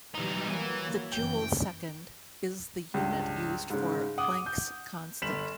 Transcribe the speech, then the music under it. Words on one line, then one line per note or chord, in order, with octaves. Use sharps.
The joule-second is the unit used for Planck's constant.
B2 E3 G3 D#4
E3 F#3 A#3
F#1 F#2 E3 G5
C#2 G2
G#2 C#3
F#5 D6 D#6
G6
G1 B6 E7 F#7